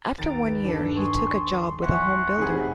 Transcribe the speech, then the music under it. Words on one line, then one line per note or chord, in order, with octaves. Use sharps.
After one year, he took a job with a home builder.
D#2 A#5 A6 D7
B4
G2 D4 A4
G#5 C6 C#6 D#6
E2 E5 F#5 A5 C#6
F1 C3 D#4 G#4 B4 C5